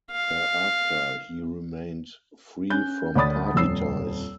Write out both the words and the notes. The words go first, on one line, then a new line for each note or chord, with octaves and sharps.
Thereafter he remained free from party ties.
F5
C#4 F#6 G6
D2 C#5 D5 B5 D#6 A6
D#1 F2 E6 C7